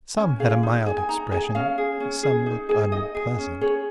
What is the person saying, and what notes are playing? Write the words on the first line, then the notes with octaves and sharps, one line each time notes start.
Some had a mild expression, some looked unpleasant.
C#4 G#5
G#4 F5
D#4
G#4 G#5
G#5
D#4 A#5
G#4 G#5
C#4 F5
G#4
C#4
G#4
D#4
G#4 G#5
D#4 D#5
G#4
C#4
G#4 C#5